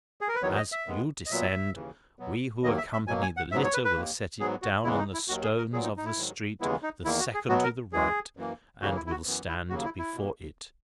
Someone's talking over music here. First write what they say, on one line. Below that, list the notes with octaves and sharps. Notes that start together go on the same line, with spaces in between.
As you descend, we who accompany the litter will set it down on the stones of the street the second to the right, and will stand before it.
G#4
A#4
B4
E2 D#3 F#3 B3 C#5
D#5
E5
D#2 D#3 G#3 B3
D#5
A#2 F#3 B3 E5
D#2 C#3 E3
B2 F#3 B3
D#2 D#3 F#3 A#3 D#5
E5
E5
B2 F#3 A#3 G#5
G#5
F#5
G#2 F#3 B3 E5
C#5
B4
B4
D#2 D#3 A#3
G#2 F#3 B3 G#4
F#4
E2 C#3 E3 G#3 B3 E4
D#4
E4
D#2 D#3 F#3 F#4
G#4
A#4
A#2 F#3 B3 G#4
D#4
D#4
E4
G#2 D#3 F#3
D#2 C#3 E3 G#3 B3 E4
D#4
E2 D#3 A#3 E4
F#4
G#4
B2 F#3 B3 F#4
A#4
F#2 E3 G#3 G#4
F#2 E3 A#3
D#2 C#3 E3 A#3 F#4
E4
E4
F#4
F#2 E3 B3
E4
D#2 C#3 F#3 A#3 F#4
E4
E4
B2 A#3